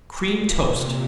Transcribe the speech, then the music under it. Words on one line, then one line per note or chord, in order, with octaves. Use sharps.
Cream Toast.
A#2
C3